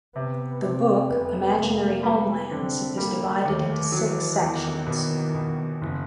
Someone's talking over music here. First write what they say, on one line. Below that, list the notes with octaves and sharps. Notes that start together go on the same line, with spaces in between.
The book 'Imaginary Homelands' is divided into six sections.
C3 B3
C3 C4
F1 B3
F1 A#3
G3 B3
D3 C4
G3 A#3
D#2 A3
E3 F#3
E2 D#3
B2
B2
F#1